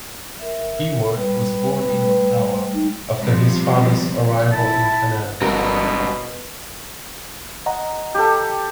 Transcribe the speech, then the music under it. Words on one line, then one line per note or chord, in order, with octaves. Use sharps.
Ewart was born in Ottawa after his father's arrival in Canada.
A#4 E5
G3 B4
G3 A3
D#4
C3 F3 G3
E4 A5
G1 G2 B2 F#3 C4 A#4
D#5 F#5 A#5
G4 A4